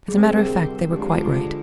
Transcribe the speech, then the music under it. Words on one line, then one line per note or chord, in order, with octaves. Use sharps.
As a matter of fact they were quite right.
D2 C3 G3 C4 G#4
A#4
G#4
D3 F3 G#3 D4 G4
F4